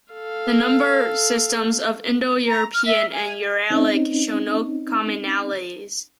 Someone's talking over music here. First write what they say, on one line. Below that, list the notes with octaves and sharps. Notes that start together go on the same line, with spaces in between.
The number systems of Indo-European and Uralic show no commonalities.
A4 F5
A#5
F6
E5
G#5
C4 C#4 D#4